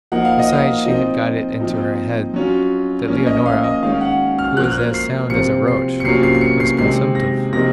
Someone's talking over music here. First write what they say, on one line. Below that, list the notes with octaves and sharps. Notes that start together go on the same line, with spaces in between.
Besides she had got it into her head that Leonora, who was as sound as a roach, was consumptive.
F3 A#3 D#4 F#5
F5
D#5
F5
F3 C4 D#4 D#5
A#2 F3 C4 D#4
F#3 C#4 F4
F3 A#3 C#4
D#5
F5
D#5
D#3 G#3 C#4 F5
F#5
F6
A#2 F3 A#3 F#6
F6
F#6
C7
C3 F3 C4 F4 C#7
C7
C#7
C3 F#3 A#3 C#4 F4 C7
C7
C7
C#7
C7
C3 D#3 G#3 C4 C7
A#6
C3 F3 A#3 D#4 A#6